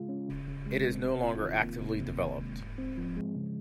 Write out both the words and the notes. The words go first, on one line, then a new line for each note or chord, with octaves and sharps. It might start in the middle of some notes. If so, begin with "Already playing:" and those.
It is no longer actively developed.
Already playing: C#3 G#3 F4
C#4
C#3
C#3
G#3
C4
C3
F4
D#3
A#3
C3
C3
D#3
G#3
G#2
C4
F3
G#3
C#3